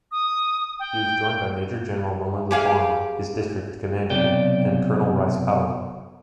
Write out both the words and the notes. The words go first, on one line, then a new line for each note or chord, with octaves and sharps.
He was joined by Major-General Rowland Laugharne, his district commander, and Colonel Rice Powell.
D#6
G5
G4 G#4 F5
B1 C3 D5 G5